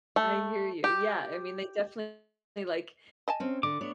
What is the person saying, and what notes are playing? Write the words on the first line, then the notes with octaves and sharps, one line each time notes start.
I hear you. Yeah, I mean, they definitely, like,
A3
G4
D#5 G#5 A5
C4 C#4
D3 D6
A3 B3 D4 C#5